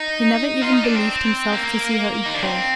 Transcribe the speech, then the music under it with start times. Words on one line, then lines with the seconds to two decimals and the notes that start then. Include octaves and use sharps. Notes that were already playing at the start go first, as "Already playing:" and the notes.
He never even believed himself to see her equal.
Already playing: D#4
0.62 F4
0.74 D#4
0.84 D4
0.96 C4
1.52 A#3
2.26 D#4
2.34 D4
2.43 C4